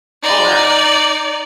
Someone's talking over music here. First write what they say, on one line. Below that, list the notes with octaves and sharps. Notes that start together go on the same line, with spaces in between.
Oh yeah.
D#4 D5